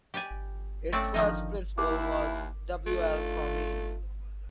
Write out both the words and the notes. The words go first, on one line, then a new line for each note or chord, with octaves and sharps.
Its first principal was W. L. Fromein.
G4 B4 D5 G#5
A3 C4 C#4 D5 F#5
D3 D#3 F3 A#3 D#4
D#2 E4 G4 A#4 D6
A3 D4 D#4 F4